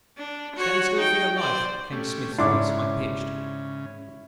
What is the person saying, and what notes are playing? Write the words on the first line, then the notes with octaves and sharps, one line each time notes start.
"Stand still, for your life!" came Smith's voice, high-pitched.
D4
F#4 C#5
D#4 G5
C5 D5
A3 C#4 G4
G#2 C#3 D4 E4 C#5 C6 D6